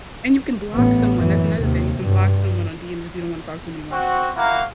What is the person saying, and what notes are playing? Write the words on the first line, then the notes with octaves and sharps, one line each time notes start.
And you can block someone, that's another thing, you can block someone on DMs if you don't wanna talk to them anymore,
A1 B3
F#2 E3
D#2 C3
G2
C4 F#4
A#3 E4 F#4 A#4 F5